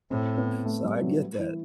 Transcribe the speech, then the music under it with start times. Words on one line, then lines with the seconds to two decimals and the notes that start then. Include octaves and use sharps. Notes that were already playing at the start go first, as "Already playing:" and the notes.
so I get that.
0.10 A2 C4
0.38 B3
0.66 A3
0.84 G3
1.01 F#3
1.39 E3